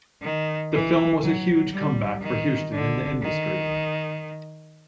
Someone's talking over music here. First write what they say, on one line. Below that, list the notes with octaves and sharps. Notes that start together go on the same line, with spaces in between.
This film was a huge comeback for Houston in the industry.
D#3
E3
F#3
G3
D#3
D3
D#3